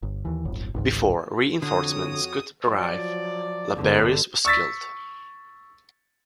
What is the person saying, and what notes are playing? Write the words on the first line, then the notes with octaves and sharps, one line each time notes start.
Before re-inforcements could arrive, Laberius was killed.
G1
D#2 E3
D1 G1
G#1 C#2 G#2
F2 D3 F#4 C#5 D#6
F3 F#3 D5
G1 D3
C#6 E6 A6 B6